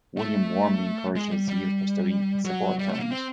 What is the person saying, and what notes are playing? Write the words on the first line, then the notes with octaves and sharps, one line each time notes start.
William warmly encouraged her zeal for study and supported her in it.
A3
G#3
G3
G3
F#3
G3
A3
A#3
C4